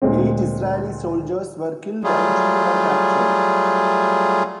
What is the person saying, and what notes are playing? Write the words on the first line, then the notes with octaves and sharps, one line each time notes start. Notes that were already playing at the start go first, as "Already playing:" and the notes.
Eight Israeli soldiers were killed and two were captured.
D2 A#2 G#3 C4
F#3 G3 A3 F4 G#4